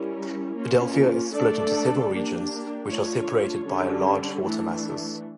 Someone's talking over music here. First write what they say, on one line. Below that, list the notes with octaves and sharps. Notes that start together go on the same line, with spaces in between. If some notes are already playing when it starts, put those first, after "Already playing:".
Adelpha is split into several regions, which are separated by large water masses.
Already playing: G3 C#4 E4 A#4
A#3 C#4 F4
A3 D4 A4 D5
A#3 D4 G4
A3 D4 F4 C#5
D3 G3 C#4
E3 A3 D4